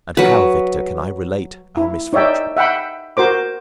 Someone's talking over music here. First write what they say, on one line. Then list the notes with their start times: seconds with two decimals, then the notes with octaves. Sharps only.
And how, Victor, can I relate our misfortune?
0.17 F#3 B4
1.77 E4
2.13 D#4 C#5 D5 E5 G5
2.57 E5 F#5 G5 B5
3.17 F#4 A#4 C5 D6